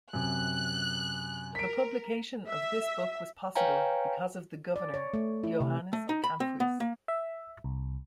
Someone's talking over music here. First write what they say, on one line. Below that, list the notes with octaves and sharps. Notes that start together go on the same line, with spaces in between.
The publication of this book was possible because of the governor Johannes Camphuys.
F#2 C3 F#6
A#4 B6 D7
E5
B4 C#5 F5 G5 G#5 A#5
D5
C#5
A3
E4
C3
A3
D#4
B5
C4
B3
A#3
E5
C2